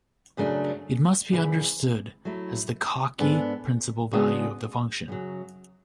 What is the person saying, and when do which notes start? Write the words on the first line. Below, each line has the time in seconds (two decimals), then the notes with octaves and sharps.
It must be understood as the Cauchy principal value of the function.
0.37 F#2 C#3 F#3 A3 D4
1.31 D2 C#3 E3
2.25 F#3 A3 E4
3.19 G#2 G#3 B3 D4 A4
4.13 C#3 G#3 B3 D4 F#4
5.08 F#2 C#3 F#3